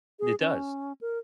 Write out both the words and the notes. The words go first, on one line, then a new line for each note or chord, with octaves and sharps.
It does.
G#4
C#4
A#4